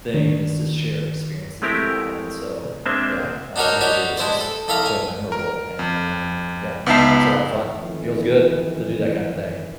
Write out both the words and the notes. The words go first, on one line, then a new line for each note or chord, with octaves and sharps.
thing, and it's this shared experience that you had, and so, yeah, I I agree. It's just, so memorable, and, yeah, it's a lot of fun. Feels good to do that kinda thing.
D#3 D4
G#3 A3 C4 E4 G4 A#4
G#3 A#3 C4 D4 C5 E5
D4 D#4 F#4 G4 A#4 C#5
D#4 E4 F#4 G4 C#5 D5
G#3 D4 E4 C5 D5
A4
C2 A4 E5 F5 A#5
G#5
A#4
F2
C#2 B3 D#4 E5 A5 C7
F2 D#3 E3